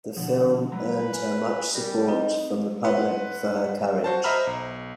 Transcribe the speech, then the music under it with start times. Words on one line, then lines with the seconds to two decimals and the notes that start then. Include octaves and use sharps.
The film earned her much support from the public for her courage.
0.17 B2 D3 F3 F#5
0.72 F#3 G#3 B4 A#5
1.13 F5 G#5
1.74 G3 G4 A#4
2.08 C4 D#4 D#5
2.84 B4 F#5 C6
4.04 F#4 C5 A5
4.24 C5 D#5 E5 A#5 B5 F6
4.47 B1